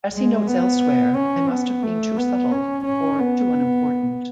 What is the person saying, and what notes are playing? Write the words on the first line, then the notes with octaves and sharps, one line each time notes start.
As he notes elsewhere, I must have been too subtle-or too unimportant.
G#3
B3
C#4
B3
A3
B3
C#4
C#4
B3